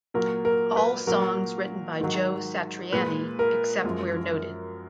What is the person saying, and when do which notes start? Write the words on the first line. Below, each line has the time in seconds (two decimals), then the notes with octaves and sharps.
All songs written by Joe Satriani, except where noted.
0.14 A#2 F#3 A#4
0.45 A#4
0.76 B4
1.07 A#2 F#3 A#4
1.99 G#2 D#3 F#3
2.93 A#2 G#3 B4
3.39 A#4
3.84 F#2 F3 G#3